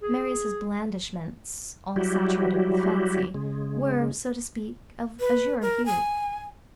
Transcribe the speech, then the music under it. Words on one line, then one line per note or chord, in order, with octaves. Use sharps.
Marius' blandishments, all saturated with fancy, were, so to speak, of azure hue.
G#4
F#3 G3 E4 F#4 G4
C#3 G#3
B4
A#4
G#5